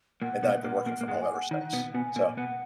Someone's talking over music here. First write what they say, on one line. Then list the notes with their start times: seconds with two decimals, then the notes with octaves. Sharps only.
And then I've been working from home ever since, so,
0.22 A#2 A#3 F#5
0.43 B2 B3
0.65 A#2 A#3 F#5
0.86 A#2 A#3
1.01 A#3
1.08 G#2 G#3 F#5
1.22 G#5
1.35 F#5
1.51 D#3 F#5
1.73 B2 B3
1.94 B2 B3 G#5
2.16 A#2 A#3
2.37 B2 B3 F#5